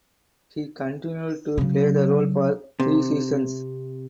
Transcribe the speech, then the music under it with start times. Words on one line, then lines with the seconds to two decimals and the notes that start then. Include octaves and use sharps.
He continued to play the role for three seasons.
1.58 C#3 F#3
2.80 C3